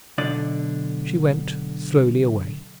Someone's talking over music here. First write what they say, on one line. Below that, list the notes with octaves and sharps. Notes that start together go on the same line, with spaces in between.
She went slowly away.
B1 D3 D5